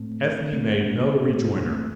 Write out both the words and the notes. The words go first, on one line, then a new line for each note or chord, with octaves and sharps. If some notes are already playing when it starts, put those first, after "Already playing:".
Ethne made no rejoinder.
Already playing: A2 A3 C4
A3 C4
A#3 D4
A#3 D4
A2 A3 C4
A#3 D4
A3 C4